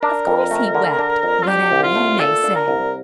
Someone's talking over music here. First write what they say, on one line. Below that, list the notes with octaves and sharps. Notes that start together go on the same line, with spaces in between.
Of course he wept--whatever he may say.
D4 A#4
F2
A3
D3
D4
F2
F4
D4 G4
C2
F4
A3
A#2 A4
D4
A#4
C2